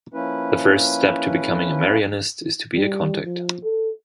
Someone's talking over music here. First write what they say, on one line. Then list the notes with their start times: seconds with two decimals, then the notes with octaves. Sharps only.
The first step to becoming a Marianist is to be a Contact.
0.14 F3 A#3 C#4 E4 B4
2.76 G3
3.25 F3
3.63 A4